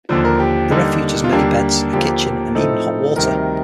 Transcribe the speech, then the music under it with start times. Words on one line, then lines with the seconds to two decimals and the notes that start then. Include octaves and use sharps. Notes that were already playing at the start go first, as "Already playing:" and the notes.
The refuge has many beds, a kitchen, and even hot water.
0.09 D#2 D3 F3 C5
0.25 A#4
0.39 G4
0.71 D#2 D3 G3 A#3 D#4
1.24 F4
1.32 D#2 D3 G3 A#3 D4 G4
1.93 D#2 D3 F3 A#3 G4
2.55 A2 F3 C4 D#4 A4
3.16 D2 C3 D#3 G3 A#4